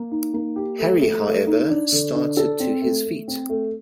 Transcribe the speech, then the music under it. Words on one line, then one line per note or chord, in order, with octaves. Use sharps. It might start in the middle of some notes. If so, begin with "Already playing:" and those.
Harry, however, started to his feet.
Already playing: A#3
D#4
A#3
G4
A3
A3
A3
D#4
D4
D3
D4
A4
C4
A3
A3
C4
A3